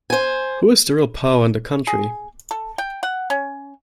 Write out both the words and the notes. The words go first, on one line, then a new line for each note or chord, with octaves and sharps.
Who is the real power in the country?
C5 G#5
G#4
A4
G5
F#5
C#4